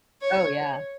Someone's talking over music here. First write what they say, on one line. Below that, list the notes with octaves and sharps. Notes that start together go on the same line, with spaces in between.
Oh, yeah.
C#5